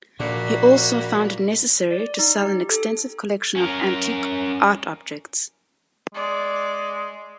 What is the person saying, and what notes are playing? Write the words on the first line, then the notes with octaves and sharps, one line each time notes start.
He also found it necessary to sell an extensive collection of antique art objects.
A#1 A#2 A#3 D4 F#4 B5
D5
D#4
G4
A4
C#4 A#4
G#3 D5